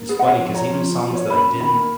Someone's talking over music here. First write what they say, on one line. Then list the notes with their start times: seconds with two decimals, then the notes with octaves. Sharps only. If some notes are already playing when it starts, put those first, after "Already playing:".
It's funny 'cause even songs that I didn't
Already playing: A#3
0.09 B3 G#4
0.19 F#5
0.24 C#5
0.39 F3
0.55 C#5 A#5
0.70 F3
0.85 F3
1.00 F3
1.15 C#5
1.30 A#3 B5
1.46 F#2
1.60 D#3 B5
1.76 A#3